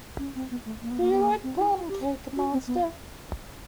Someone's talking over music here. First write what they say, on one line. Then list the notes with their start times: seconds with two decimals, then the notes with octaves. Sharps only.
Do you like plum-cake, monster?
0.19 C#4
0.35 C4
0.51 B3
0.65 A3
0.82 A#3
0.91 B3
1.00 A#3
1.11 B3
1.21 A#3
1.43 C4
1.58 E4
1.75 F#4
1.89 G4
2.36 F#4
2.52 C4
2.67 B3